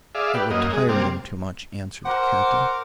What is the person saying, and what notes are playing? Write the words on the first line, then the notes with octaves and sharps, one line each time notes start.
"It would tire them too much," answered the Captain.
G#4 D5 E5 F5
G4 B4
F#2 A#3 D#5
G#3 G#4
C3 G3 A#3 C4 G4
A#4 C5 F#5 D6